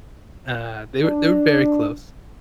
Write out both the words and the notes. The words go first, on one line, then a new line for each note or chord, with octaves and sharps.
uh, they were they were very close,
D4